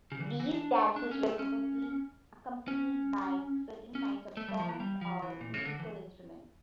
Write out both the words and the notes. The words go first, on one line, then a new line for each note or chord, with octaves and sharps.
These dances were probably accompanied by certain kinds of songs or musical instruments.
C#3
E3
D3
E3
D4
D4
C#4
A3
C#4
C#4
C#4
A3
G3
F3
E3
G3
F3
E3
A#2
C#3
D3
E3